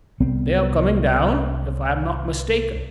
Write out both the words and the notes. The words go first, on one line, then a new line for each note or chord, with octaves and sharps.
"They are coming down, if I am not mistaken."
C2 B3 C4